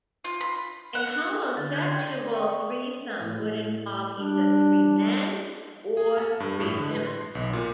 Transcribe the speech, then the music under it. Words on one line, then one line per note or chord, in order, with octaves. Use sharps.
A homosexual threesome would involve either three men or three women.
F4
B5
F#5
D3 A6
G6 G#6
G5 C6
D5 D#7
G5 C#6 D#6
A2
G3 D4
G#4
A4
G2
A2
D3
B4
C6
B1
A#2